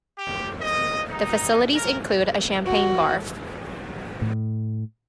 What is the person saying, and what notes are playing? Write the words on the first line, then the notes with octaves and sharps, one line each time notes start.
The facilities include a champagne bar.
G4
D#5
D#4
A#4
F#4
A2